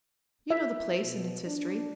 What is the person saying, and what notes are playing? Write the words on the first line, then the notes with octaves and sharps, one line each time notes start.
You know the place and its history.
E5
B2
D4